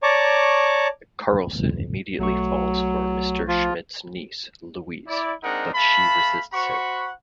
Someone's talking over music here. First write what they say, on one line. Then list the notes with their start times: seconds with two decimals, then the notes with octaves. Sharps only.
Carlson immediately falls for Mr. Schmidt's niece, Louise, but she resists him.
0.03 C#5 D5 A5 A#5 C#6 D6
2.19 B1 F#3 A3 C#6
3.48 F3 F4
5.07 E4 D5
5.43 G#3 C4 D4 D#4 A#4 F#5
5.74 A3 F5 A5 B5
6.53 F#4 C5 F#5 B5 C#6